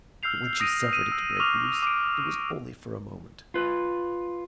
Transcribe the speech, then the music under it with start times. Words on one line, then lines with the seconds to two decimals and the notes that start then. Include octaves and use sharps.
But, when she suffered it to break loose, it was only for a moment.
0.23 E6 F6 G6 C7 F7
0.60 D#6 A#6 D7 D#7
0.93 D#7
1.12 E6
1.40 C#6 D6 F6 F7
1.83 D6 D7
3.54 F4 B4